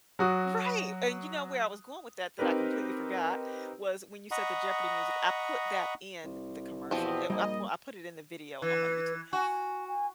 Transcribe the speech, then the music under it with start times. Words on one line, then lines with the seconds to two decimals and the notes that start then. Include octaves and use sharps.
Right, and, you know, where I was going with that, that I completely forgot was when you said the Jeopardy music, I put that in the commercial. I I p I put it in the video on my YouTube,
0.19 F#3 F#4 D#6
2.39 C4 D#4 G4 A#4 B4
4.31 D#5 F#5 A#5 B5 C#6 D#6
6.24 C2
6.91 E2 B2 F3 C4 G4 D#5
7.30 A#1 G3 A#3 D#5
8.62 E3 B4
9.33 F#4 G#5
9.88 G#5